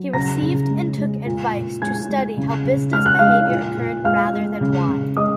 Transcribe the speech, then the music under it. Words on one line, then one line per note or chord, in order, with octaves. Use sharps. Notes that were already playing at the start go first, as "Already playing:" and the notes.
He received and took advice to study how business behaviour occurred rather than why.
Already playing: F#3
C#3 A#5 A#6
C#3
G#3
G#3
A#2
A#2
G#3 G#5 G#6
G#3
C#3
C#3
G#3 F6
F#6
G#3 F5 F6
A#2
A#2
G#3 F5 F6
G#3
C#3
C#3
G#3 D#5 D#6